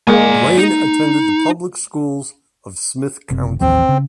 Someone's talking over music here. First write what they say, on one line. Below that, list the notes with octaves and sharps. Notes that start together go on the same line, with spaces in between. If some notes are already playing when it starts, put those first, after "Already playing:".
Lane attended the public schools of Smith County.
G#3 A#3 D5 G#5
D#4
F#1 C3
A1 D#2 F3 C4
C#3